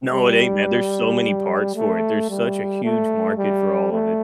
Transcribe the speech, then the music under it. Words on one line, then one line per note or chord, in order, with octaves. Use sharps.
No, it ain't, man. There's so many parts for it. There's such a huge market for all of it.
G3
A3
G3
A3
G3
A3